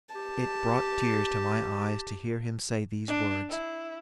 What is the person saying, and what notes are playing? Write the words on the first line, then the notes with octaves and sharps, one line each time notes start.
It brought tears to my eyes to hear him say these words.
G4 A5
D4
E4